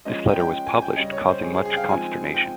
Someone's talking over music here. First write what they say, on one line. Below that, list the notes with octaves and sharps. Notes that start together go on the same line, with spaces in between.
This letter was published causing much consternation.
F3 G#3 C#4 D#5
G5
G5
G5
G#5
G5
C#3 G3 C#4 D#5
C#5
C5
G#4
G#4
G#4
G5
F5
F3 G#3 C4 D#4 G#5
G5